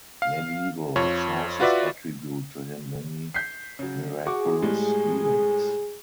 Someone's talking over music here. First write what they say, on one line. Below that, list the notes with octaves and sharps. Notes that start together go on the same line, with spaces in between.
Medieval sources attribute to him many miraculous healings.
F5
F2 F4 C#5
F4 F#4 B4 D5 E5
G6 B6 C7
C#3 F#3
F#4 G#4 C#6 D6
A2 G3 G#3